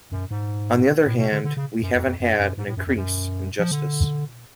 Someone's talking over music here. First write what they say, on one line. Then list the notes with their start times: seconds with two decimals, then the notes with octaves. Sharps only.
On the other hand, we haven't had an increase in justice.
0.12 F#2
0.31 G#2
1.06 A2
1.19 B2
1.32 D3
1.44 D3
1.57 C#3
1.82 F#2
1.95 F2
2.07 F2
2.20 F#2
2.39 F#2
2.57 G#2
2.68 A2
2.77 F#2
2.87 F2
2.97 F#2
3.59 F3
3.71 D3